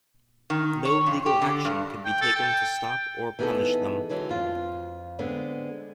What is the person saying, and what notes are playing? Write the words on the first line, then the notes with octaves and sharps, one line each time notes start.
No legal action could be taken to stop or punish them.
D#3
C#5
F2
G4
D3
G2
G5
A4
G5
E3 B3 D#4 F#4 G#4 A4
D3 E3 F#3 G#3
F2 F4
D3 G#3 B3 C4